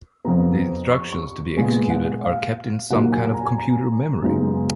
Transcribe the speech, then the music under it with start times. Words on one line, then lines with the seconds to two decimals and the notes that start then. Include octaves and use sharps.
The instructions to be executed are kept in some kind of computer memory.
0.25 F2 F3 B3 A#5
0.92 C#6
1.13 C#6
1.57 A#2 G#3 B3 G#5
1.90 F#5
2.24 F5
2.90 A#2 F#3 A#3 D#4 F#5
3.12 G#5
3.34 A#5
3.45 G#5
3.58 A#5
4.22 F#2 C#3 G#3 B3 D#4